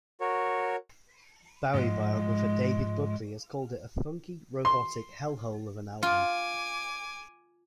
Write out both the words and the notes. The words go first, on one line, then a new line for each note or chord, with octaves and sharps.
Bowie biographer David Buckley has called it "a funky, robotic Hellhole of an album".
F#4 A#4 C#5
G#2 F3 G#3
C6
F4 G#5 D6